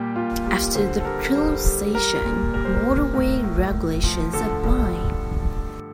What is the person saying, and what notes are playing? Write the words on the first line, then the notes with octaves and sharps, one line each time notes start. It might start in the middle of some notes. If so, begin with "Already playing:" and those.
After the toll station, motorway regulations apply.
Already playing: A#2 G3 G4
A#2 F4
G3
D3 C5
A4
G3 A#4
G3 C5
G3
G3 A#4
A#2
G3 A#4
C5
A#4
G3
A2 A#4
A2
A2
F3
D3 A4
G2